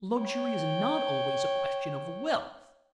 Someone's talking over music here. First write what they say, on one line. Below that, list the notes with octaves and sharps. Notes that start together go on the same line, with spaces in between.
Luxury is not always a question of wealth.
C#5 G5